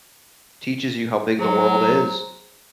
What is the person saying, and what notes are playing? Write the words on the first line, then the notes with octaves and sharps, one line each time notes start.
teaches you how big the world is,
F#3 G#4 C5 A#5